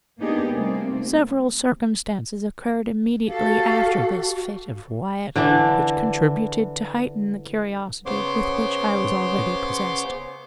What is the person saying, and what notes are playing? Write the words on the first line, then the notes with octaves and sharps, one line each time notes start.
Several circumstances occurred immediately after this fit of Wyatt which contributed to heighten the curiosity with which I was already possessed.
A#3 B3 D4 D#4 G4 G#4
C3 G3 A3 A#3 C4
F#4 G4 A4 F5
D3 E3 D4
C#3 B3 C5 C#5 C6 D6